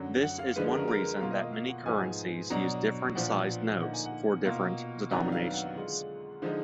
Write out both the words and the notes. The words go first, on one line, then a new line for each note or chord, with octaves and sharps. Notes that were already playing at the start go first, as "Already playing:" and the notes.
This is one reason that many currencies use different sized notes for different denominations.
Already playing: F#2 D3 F#3
F#5
F5
D3 F3 G#3 B4
A#4
A#4
B2 A#3 F4 F5
D#5
F5
F5
F#5
G#2 F3 B3 D#4 G#5
B2 F#3 D4 A#5
A#2 F3 B3 D4 F4 F#5
D3 F3 A#3 D#4 F#5
G#5
F#5
B2 A#3 F4
F2 D#3 F#3 B3 D4 A#5
F5
F5
F#5
D3 G#3 D4 F4
D3 F3 G#3 D#4